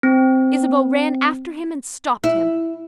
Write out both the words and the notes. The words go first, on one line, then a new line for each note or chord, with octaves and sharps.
Isabeau ran after him and stopped him.
C4
E4